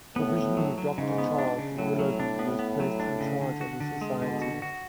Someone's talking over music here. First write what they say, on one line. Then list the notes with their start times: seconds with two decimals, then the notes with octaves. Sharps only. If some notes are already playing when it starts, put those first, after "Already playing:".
Provisionally Doctor Charles Willoughby was placed in charge of the society.
0.16 A2 B3
0.37 B3
0.57 F#3
0.78 F#3
0.97 G#2 C#3
1.18 B3
1.38 D4
1.59 C#3
1.78 A2 F#3
1.99 F#3
2.20 D4
2.39 B3
2.59 B3
2.80 F#3
3.00 D4
3.20 C#3
3.41 D3
3.61 F#4
3.80 D3
4.01 G#3
4.22 B2 D3
4.42 F#4
4.62 F#4